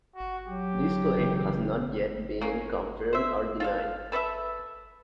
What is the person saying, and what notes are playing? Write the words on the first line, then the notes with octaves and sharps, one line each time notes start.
This claim has not yet been confirmed or denied.
F#4
F#3 G4
C#3 E3 G#3
A#3 C#4
C5 E5
F4 A4 F5
A4 B4 D5 E5